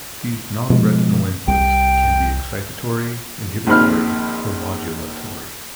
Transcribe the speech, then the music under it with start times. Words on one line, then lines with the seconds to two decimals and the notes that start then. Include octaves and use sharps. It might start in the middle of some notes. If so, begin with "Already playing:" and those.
These non-retinal inputs can be excitatory, inhibitory, or modulatory.
0.70 B2 F3 G#3
1.48 C2 G5
3.67 A#1 D#2 C4 B5 F6